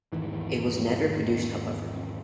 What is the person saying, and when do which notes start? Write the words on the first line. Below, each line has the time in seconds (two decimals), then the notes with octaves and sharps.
It was never produced however.
0.13 G#1 E2 D#3 E3